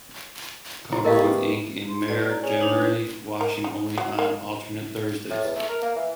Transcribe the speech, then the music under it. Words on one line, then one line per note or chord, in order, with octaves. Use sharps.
Covered with ink and mire generally, washing only on alternate Thursdays.
E4
A3 B3 G4 A#4 D#5 F5
C6
B2 A4 D5
A#5
C#4 G#4
D4 D#4 C5
B4
A#4
D#4
F#3
A#3
A2
E2
A3
A#4
A#3
E3